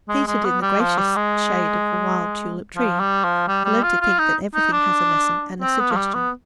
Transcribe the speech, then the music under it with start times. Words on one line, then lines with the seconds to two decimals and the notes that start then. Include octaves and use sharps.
Seated in the gracious shade of a wild tulip tree, I learned to think that everything has a lesson and a suggestion.
0.09 G#3
0.27 G#3
0.45 B3
0.62 G3
0.80 F3
0.98 G3
1.16 G#3
2.76 F3
3.00 G3
3.24 F3
3.48 G3
3.65 G3
3.83 F4
4.01 F4
4.19 D#4
4.55 D#4
4.72 D4
5.62 C4
5.79 B3
5.91 F3
5.97 G3
6.14 B3